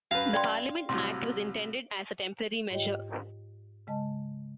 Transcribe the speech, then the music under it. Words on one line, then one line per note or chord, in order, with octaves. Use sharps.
The Parliament Act was intended as a temporary measure.
F#2 B4 F5
D5 G5 C6
C2 A2 F#3 C6
G#2 F4 G4 C#5 D#5 G5
C#3 G#3 D#5 A5